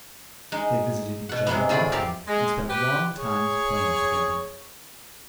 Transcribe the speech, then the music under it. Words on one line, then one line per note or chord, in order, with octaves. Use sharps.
They visited each other often and spent long times playing together.
G#3 D#4
B2 F#5
C3 F#3 G#3 A#3 B3
A2 A3 F4 G#4 D5 B5
C4 G4 A#4 D5 F5
G#3
G4 B4
G#4 C#5